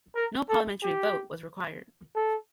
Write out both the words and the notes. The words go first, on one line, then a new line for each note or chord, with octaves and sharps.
No parliamentary vote was required.
A#4
A4
G4
A4